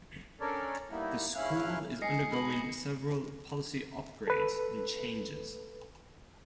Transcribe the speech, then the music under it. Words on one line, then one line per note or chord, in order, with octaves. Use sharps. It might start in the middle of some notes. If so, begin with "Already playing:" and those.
The school is undergoing several policy upgrades and changes.
C#4 D4 A4 A#4 C#5 D5
G3 A#3 B3 D#4 E4
G#2 C#4 E4 F5 F6 F#6
G#3 D#4 D#5 G#5 A#6 C7 C#7
B5
A4 B4